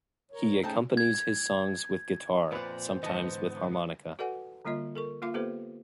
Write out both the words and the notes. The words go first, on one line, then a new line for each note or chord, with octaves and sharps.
He accompanies his songs with guitar, sometimes with harmonica.
A#4 C#5
A3 C#4 D#4 G#4 C5 G5 A5
G#6
F2 A#2 F4 B4 C5 D5
G#2 D3 E3 B3 D#5 A5
F#4 A4 B4 D5 F#5 G#5
D3 G3 A#3 F4 D#5
A4 A#4 C#6
A#3 F4 F5 D6
A#3 B3 G4 A4 B4 C5